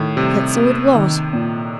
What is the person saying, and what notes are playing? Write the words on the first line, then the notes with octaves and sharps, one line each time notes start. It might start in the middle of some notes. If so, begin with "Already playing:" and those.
Yet so it was.
Already playing: A2 D#3
C3 G3
A#3
D#3
A#2